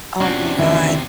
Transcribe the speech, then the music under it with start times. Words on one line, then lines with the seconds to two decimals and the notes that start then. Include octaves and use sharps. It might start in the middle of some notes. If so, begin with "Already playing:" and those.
Oh my god.
0.20 E2 C3 C#4 D4 F#4
0.59 D2 D#3 E3 E5